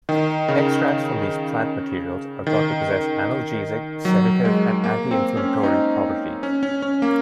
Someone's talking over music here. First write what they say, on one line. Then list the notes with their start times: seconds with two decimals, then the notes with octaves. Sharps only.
Extracts from these plant materials are thought to possess analgesic, sedative, and anti-inflammatory properties.
0.09 D#3
0.48 C#3
2.47 D#3
4.05 F#3
4.45 G#3
4.84 A#3
5.11 C4
5.37 C#4
5.63 D#4
6.43 C#4
6.63 C#4
6.82 C#4
7.02 A#3